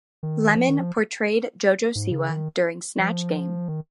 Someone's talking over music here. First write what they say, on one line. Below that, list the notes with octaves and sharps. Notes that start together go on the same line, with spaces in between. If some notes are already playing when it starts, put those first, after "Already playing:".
Lemon portrayed Jojo Siwa during Snatch Game.
D#3
F3
D#3
F3
G#2
C#3
D#3
F3
D#3